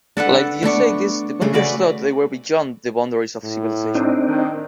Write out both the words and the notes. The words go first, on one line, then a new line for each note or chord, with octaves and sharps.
Like the Osages, the Bunkers thought they were beyond the boundaries of civilization.
D4 A4 B4 F#5
A3 B3 D4 C#6
C#3 A3 G#4
F#4 B4 D5
A2
C4 D4 D#4
D#3